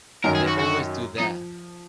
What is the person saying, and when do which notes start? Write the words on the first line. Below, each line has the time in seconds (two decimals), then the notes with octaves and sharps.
They always do that.
0.24 F#2 D#3 F#3 A#4
0.35 G#4
0.47 F#4
0.59 F#4
1.18 F3 D#4